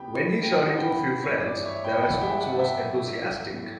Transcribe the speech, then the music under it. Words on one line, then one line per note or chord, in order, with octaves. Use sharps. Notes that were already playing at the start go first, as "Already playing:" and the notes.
When he showed it to a few friends, their response was enthusiastic.
Already playing: E2 C#3 G3 B3 G5 B5
G5
E2 C#3 G3 B3 F#5 A5
G5 B5
C#5
G2 E3 B3 D5
D5
C#5 E5
G5 B5
G5
G2 E3 B3 F#5 A5
E5 G5
F#5 A5
E5 G5
A1 A2 F#3 A3
A1 A2 F#3 A3